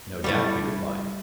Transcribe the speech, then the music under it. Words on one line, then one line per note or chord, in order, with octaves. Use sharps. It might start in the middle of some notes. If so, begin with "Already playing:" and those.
No doubt, he replied.
G3 A3 E4